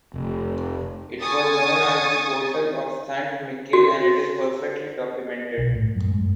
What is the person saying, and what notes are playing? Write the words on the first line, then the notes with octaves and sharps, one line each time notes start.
It was known as the portal of Sant Miquel and it is perfectly documented.
F1
G#5 C#6 D#6 A6
F#4
B1
A2
F#2
G#3
F#2